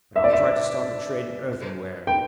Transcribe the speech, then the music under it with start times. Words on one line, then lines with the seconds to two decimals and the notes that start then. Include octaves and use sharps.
But I will try to start a trade in earthenware.
0.16 E5
0.24 D5
0.33 E5
2.07 G5